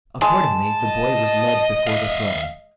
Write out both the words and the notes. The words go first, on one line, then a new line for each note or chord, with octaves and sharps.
Accordingly, the boy was led before the throne.
G#3 A5
D#5
E5 F5